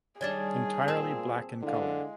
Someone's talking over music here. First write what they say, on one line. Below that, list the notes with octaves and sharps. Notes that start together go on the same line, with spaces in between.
Entirely black in color.
D#3 G3 D4 G#4 C#5 G#6 A6
A#2 C4 A5 E6 E7
D3 G#3 E4 F5